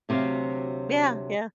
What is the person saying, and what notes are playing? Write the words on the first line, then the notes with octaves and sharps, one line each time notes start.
Yeah, yeah.
D2 C3 F#3 C5 F5